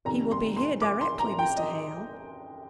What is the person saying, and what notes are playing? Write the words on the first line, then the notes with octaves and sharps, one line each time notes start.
He will be here directly, Mr. Hale.
F1 F2 D#3 A#5
C6
C6
D6
C6
A#5
G5
D#5